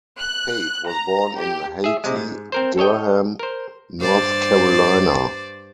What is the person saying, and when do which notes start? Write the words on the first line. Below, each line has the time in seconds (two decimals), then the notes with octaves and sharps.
Tate was born in Hayti, Durham, North Carolina.
0.18 F#6
0.88 A#5
1.38 G4
1.84 G#4 E5
2.04 C3 G#3
2.16 G#2
2.52 C4 A#4 C5
2.78 A4 C#5 D#5 G5
3.39 A#4 C5
4.00 G2 C5 D5